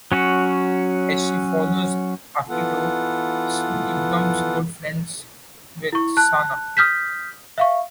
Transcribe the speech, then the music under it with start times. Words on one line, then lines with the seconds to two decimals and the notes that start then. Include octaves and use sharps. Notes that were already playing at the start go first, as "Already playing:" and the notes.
As she follows Akito, Shuri becomes good friends with Sana.
0.12 F#3 C#4 F#4
2.49 E3 B3 F4 A4 F#5
5.92 E4 C#6
6.17 A5 F#6
6.77 D#6 F6 G6 B6
7.58 E5 F5 C#6